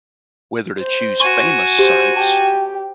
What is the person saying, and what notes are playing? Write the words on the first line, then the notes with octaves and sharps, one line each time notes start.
whether to choose famous sites
C5
F#4 G#5 C6 C#6
G4 C5
G4 A5